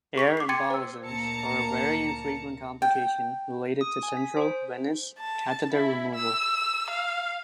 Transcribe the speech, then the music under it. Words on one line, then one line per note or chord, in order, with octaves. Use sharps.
Air embolisms are a very infrequent complication related to central venous catheter removal.
G#4 C#6 B6 F7
D6 C7
G5 C6 G#6 A6 C#7 D#7
C5 E6
D2 A#2 A#3 A5 A#5 C#7
G5
D#6
G#5
B6
C5
A5
E4
E6
F5